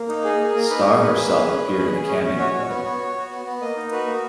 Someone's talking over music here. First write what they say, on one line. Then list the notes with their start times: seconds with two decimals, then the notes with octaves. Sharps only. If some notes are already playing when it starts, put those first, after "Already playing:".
Starr herself appeared in a cameo role.
Already playing: A#3
0.09 D#4
0.24 G#4
0.40 A#3
0.55 A#3 A#4
0.70 D#4 B4
0.85 G#4 A#4
1.01 A#3 B4
1.16 G#4
1.31 G#4
1.47 C#4
1.62 C#4
1.77 G#4
1.93 G#4
2.07 C#4
2.23 C#4
2.38 F#4 C#5
2.53 F#4
2.69 B3
2.84 B3
2.99 F#4
3.15 F#4
3.30 B3
3.45 B3
3.61 A#3 D#5
3.77 D#4
3.91 F#4 B4
4.07 A#3